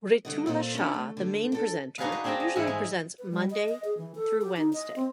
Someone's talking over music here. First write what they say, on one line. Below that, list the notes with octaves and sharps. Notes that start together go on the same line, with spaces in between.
Ritula Shah, the main presenter, usually presents Monday - Wednesday.
G2 D3 D#5
A#2 C4 A4 D#5
C#4 D4
A3
D3
D4 A4
D4 D#4 F#4 G#4 B4 F5
B4
C4 D4 G#4 G5 A5 A#5
D#5
G#2 E3 G#3 E5 F#5 B5
G#3
B4
G3
D#5
D#5
G#4
E3
A4
G4
D#4
D#5
C4